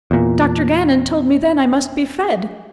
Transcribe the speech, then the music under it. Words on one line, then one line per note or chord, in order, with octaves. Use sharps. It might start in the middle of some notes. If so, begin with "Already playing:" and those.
Dr. Gannon told me then I must be fed.
E2 A#2